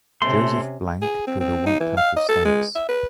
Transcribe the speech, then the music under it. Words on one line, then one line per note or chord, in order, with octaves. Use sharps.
Joseph Blanc drew the White type of stamps.
C3 A3 C#4 C6
G#4
C4
C4
D#4
E3
F5
D#5
A4
G#3
E5
B4